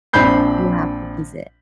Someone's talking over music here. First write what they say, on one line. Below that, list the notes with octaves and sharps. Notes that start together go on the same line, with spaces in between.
you have to visit.
A#1 C4 D4 B5 G6 C7